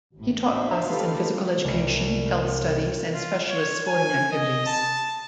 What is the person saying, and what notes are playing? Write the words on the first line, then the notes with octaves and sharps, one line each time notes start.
He taught classes in physical education, health studies and specialist sporting activities.
A1 A2
D4 F#4 C5 E5
D#4 F4 G4 A4 B4 F5
C2
F4
C#5
G#5
D#5
A5